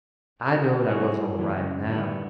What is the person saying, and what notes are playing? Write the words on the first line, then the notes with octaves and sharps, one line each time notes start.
I knowed I was all right now.
F#4 G4 A4
G3 E4 F#4 G#4 A4 C#5
F2 E3 F#3 A3
F#2 C#3 F#3 G#3
D3 D#3 G3 B3 E4